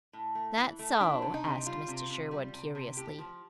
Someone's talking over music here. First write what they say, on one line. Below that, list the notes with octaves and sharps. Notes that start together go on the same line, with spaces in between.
"That so?" asked Mr. Sherwood curiously.
A2
A3
E3
A3
E3 D4
C3
D#4
C3
G3 F4
C3
C3
G3
C3
C3
A2 G4
F3